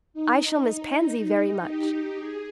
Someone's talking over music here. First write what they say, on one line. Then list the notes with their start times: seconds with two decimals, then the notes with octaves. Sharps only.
"I shall miss Pansy very much."
0.14 D#4
0.64 D#4
1.15 D#4
1.65 G4
2.16 G#4